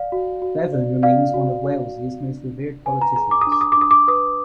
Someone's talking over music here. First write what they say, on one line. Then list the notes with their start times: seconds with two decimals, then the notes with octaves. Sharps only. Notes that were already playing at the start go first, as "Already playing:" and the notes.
Bevan remains one of Wales' most revered politicians.
Already playing: D5 F5
0.12 F#4
0.42 F#4
0.73 D5
1.03 D5 F5
1.34 F#4
1.64 F#4
1.95 D5
2.26 D4
2.55 D4
2.85 B4 G#5
3.01 A#5
3.16 G#4 A#5
3.31 D6
3.41 D#6
3.47 D4
3.52 D6
3.61 D#6
3.72 D6
3.77 D4 D#6
3.91 D6
4.08 B4 D#6